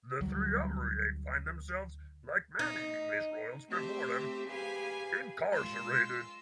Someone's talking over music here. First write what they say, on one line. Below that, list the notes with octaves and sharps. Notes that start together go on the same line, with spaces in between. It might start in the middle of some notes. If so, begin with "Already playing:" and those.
The Triumvirate find themselves-like many English Royals before them-incarcerated.
D2 F#3 G3
D#4
A3 C4 G4 C5 E5
G4 G#4 B4 F5 G#5
G#3 F4 E6